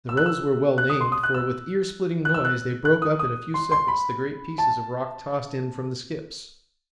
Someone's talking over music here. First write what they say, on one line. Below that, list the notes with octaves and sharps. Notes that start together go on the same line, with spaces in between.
The rolls were well named, for with ear-splitting noise they broke up in a few seconds the great pieces of rock tossed in from the skips.
E6
F#6
E6
F#6
D#6
C6
D#6
F#6
E6
F#6
E6
F#6
F#6
D#6
D#6
C6
C6
B5
A5